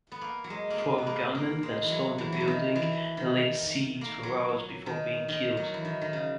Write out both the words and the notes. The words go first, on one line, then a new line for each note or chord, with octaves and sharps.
Four gunmen then stormed the building and laid siege for hours before being killed.
B3
A#3
F#3
G#3
A#3
G#3
B3
A#3
A#3
G#3
E3
F#3
E3
F#3
E3
D#3
E3
D#3
A#3
F#3
D#3
D#3
F#3
E3
D#3
D#3
C#3